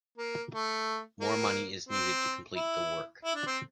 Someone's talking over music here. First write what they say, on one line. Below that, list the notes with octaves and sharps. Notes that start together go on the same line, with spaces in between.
More money is needed to complete the work.
A#3
A3
A#3
C4
E4
E4
D4
C4